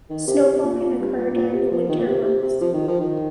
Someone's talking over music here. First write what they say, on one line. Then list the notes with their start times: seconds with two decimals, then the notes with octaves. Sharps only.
Snowfall can occur during the winter months.
0.10 D#3
0.27 C3
0.46 C3
0.64 A#2
0.81 A#2
1.00 G2
1.17 A#2
1.35 A#2
1.53 C3
1.71 F3
1.90 D#3
1.99 A#2
2.07 C3
2.25 C3
2.43 C3
2.61 F3
2.74 D#3
2.88 F3
3.01 D#3